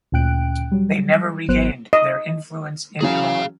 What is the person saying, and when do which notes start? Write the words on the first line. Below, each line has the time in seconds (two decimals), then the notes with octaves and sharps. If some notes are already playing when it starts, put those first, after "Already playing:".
They never regained their influence in Iran.
0.12 D2 A#2 C#4 G5 F#6 D7
0.72 F#3 G3
1.48 G#1 F#3 B3 C5 F#6
1.93 D#5
3.01 E3 F#3 C#4 G#4 F5